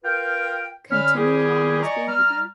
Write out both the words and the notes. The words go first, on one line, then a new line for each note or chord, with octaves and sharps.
continuing on in this behavior,
F4 A#4 B4 F5 G5
D3 G3 C#4 C#5 B5 F6
D#3 G3 E4 F4 G4 G#4
D5 D#5 G#5 A#5 C#6
G3 A#5 F6